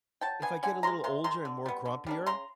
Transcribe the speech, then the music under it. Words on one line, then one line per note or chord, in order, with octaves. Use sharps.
if I get a little older and more grumpier
F#3 G5 A5
B3 D4 G#5
D3 F#5 G#5
F3 G#3 A#5 C6
C3 A#5 C6
D#3 G#3 A#5 C6
D3
G3 B3
D3
G3 A#3 D4
C#3 A#5 C6